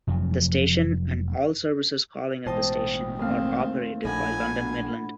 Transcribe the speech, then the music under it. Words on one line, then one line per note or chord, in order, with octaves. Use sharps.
The station and all services calling at the station are operated by London Midland.
F1 F2 F3 F#3
A1 B2 G#3 C5 D#5 G5 A5 D#6
D#2 A3 C4 F5
A#1 A2 D4 D#5 F#5 G#5 B5